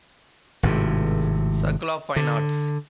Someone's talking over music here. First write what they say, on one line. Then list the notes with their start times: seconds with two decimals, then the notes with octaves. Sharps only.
Circle of Fine Arts.
0.63 G#1 A2 C3
2.16 D3